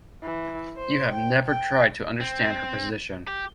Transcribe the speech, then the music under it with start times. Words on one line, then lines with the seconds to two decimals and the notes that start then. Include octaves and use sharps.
You have never tried to understand her position.
0.23 E3
0.77 C5
1.10 G5
1.47 G5
2.20 C4
3.27 G4